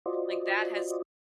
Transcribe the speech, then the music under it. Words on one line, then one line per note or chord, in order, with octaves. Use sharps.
Like, that has
F4 F#4 C5 D5 D#5